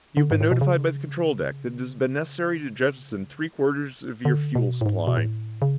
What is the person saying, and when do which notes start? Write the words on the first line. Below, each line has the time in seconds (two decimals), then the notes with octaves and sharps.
You have been notified by the control deck that it has been necessary to jettison three quarters of your fuel supply.
0.17 D3
0.31 G#2
0.41 A2
0.51 B2
0.61 C#3
4.25 D3
4.55 B2
4.81 A2
4.86 G#2
5.07 B2
5.17 A2
5.62 C#3